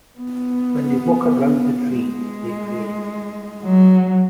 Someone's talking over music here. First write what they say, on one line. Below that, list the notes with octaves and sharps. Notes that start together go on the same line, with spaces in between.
When they walk around the tree, they pray.
B3
G#3
F#3